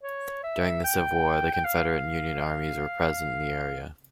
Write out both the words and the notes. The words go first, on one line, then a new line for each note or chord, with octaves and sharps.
During the Civil War, the Confederate and Union armies were present in the area.
C#5
E5
G5
G5
F5